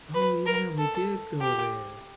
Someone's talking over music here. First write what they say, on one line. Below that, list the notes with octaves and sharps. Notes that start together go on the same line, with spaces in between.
"Oh yeah, we did go there."
B4
A#4
A4
G4